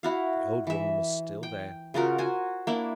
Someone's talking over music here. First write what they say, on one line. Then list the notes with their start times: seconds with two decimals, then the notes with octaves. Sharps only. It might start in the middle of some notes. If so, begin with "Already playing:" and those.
The old woman was still there.
0.03 E4 F#4 F5
0.67 E3 E5
1.43 G5
1.94 C#3 F4 F#4 A#4
2.18 F#4 C5 G#5
2.67 A#3 D4 E4